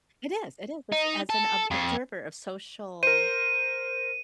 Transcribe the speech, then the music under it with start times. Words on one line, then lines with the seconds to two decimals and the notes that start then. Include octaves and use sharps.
It is, it is, as as an ob observer of social
0.92 D#4
1.29 A4
1.71 F2
3.03 A#4 C5 D#7